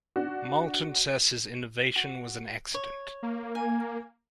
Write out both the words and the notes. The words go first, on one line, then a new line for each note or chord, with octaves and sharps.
Moulton says his innovation was an accident.
D4 F#4
F#4
C#5
A#3
G#5